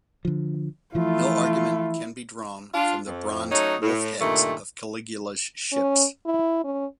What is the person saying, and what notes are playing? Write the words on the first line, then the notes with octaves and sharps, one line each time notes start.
No argument can be drawn from the bronze wolf-heads of Caligula's ships.
D3 F3
E3 F3 A3 E4 F4
D4 F4
F2
F#3 A3 C#4 D#4
A2
G2 A#2 D#3 A3
C#4
E4
C#4